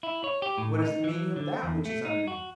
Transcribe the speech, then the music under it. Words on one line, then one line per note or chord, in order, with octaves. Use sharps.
What is the meaning of that which is underneath?
E4
C#5
G4
A2
D#4
E3
D3
E2
A3
D#4
F#4